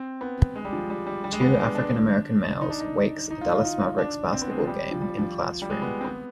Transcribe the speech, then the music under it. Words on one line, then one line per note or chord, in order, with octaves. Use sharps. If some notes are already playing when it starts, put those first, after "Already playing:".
Two AfricanAmerican males wakes a Dallas Mavericks basketball game in classroom.
Already playing: C4
B3
G#3
G3
F3
G3
G3
G3
G#3
B3
D4
D4
D#4
D4
D#4
D#4
F4
F4
D#4
D4
C4
B3
G#3
F3
G3
F3
G3
F3
G3
G#3
B3
C4
B3